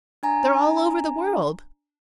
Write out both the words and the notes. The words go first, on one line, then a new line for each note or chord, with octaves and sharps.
They're all over the world.
D4 G#5 A#5